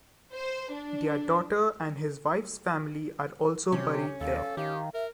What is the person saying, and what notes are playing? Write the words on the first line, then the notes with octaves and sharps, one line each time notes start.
Their daughter and his wife's family are also buried there.
C5
D4
C3 C#4 G4
D#2 A4 F5
D#3 G4 F5
A#4 E5